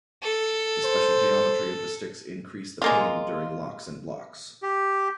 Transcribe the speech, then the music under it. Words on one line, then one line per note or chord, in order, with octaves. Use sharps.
The special geometry of the sticks increase the pain during locks and blocks.
A4
C5
G#3 A#3 F4
G4